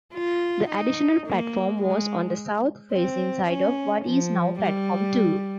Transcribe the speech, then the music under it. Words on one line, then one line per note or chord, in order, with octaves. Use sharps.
The additional platform was on the south-facing side of what is now platform two.
F4
D#4
A#3
G#3
C4
C#4
F3
G3